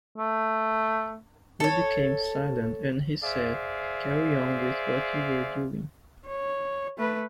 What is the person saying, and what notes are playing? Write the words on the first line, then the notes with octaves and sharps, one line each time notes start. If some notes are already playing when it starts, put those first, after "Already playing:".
We became silent and he said: Carry on with what you were doing.
A3
A4 C#5
G#4 C5 D5 E5 F5
C#5
A3 B4